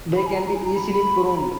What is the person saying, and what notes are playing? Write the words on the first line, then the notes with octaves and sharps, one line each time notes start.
They can be easily pruned.
B5
G#5
A#5
A#5
G#5
A#5
B5
B5
B5
A#5